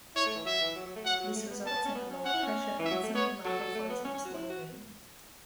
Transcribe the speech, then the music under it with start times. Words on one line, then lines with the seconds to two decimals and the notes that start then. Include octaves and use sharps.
This results in a lower pressure, and so the lava flows more slowly.
0.15 E4 C#5
0.26 A3
0.36 E3
0.45 F#3 E5
0.61 E3
0.76 F#3
0.86 F#3
0.96 A3
1.05 F#3 F#5
1.20 F#3
1.36 A3
1.50 B3
1.65 B3 A5
1.72 C#4
1.76 B3
1.85 C#4
1.95 B3
2.10 C#4
2.25 C#4 F#5
2.34 E4
2.43 C#4
2.79 E3
2.85 E5
2.91 F#3
3.03 A3
3.15 B3 C#5
3.45 F#3 A4
3.60 F#3
3.75 A3
3.90 B3
4.04 C#4
4.15 C#4
4.25 F#4
4.34 E4
4.50 F#4